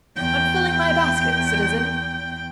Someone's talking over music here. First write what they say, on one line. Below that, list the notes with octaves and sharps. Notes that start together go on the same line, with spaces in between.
"I'm filling my basket, citizen."
E2 G5